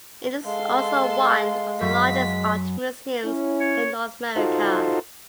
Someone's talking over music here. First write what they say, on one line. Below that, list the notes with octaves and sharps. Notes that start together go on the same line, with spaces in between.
It is also one of the largest art museums in North America.
G#3 A4 F5 C6
F#2 F#3 B6
C#4 E4
C#5
D#4 F4 F#4 A4 C5